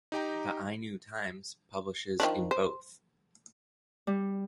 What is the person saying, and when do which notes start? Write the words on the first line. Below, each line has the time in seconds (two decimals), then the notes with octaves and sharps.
The "Ainu Times" publishes in both.
0.12 D#4 G4 G5 A#5
2.20 D#3 F3 D4
2.51 C5
4.07 G3